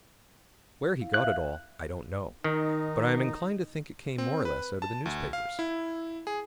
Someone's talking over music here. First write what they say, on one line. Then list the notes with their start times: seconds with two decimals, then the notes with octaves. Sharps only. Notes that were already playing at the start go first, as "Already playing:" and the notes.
Where he got it all, I don't know, but I am inclined to think it came more or less out of the newspapers.
1.00 E4 F5
1.14 E5 F5 F#6
2.44 D#3 D#4
4.18 C4
4.45 B4
4.82 A5
5.06 D2
5.33 F5
5.59 E4
6.27 G#4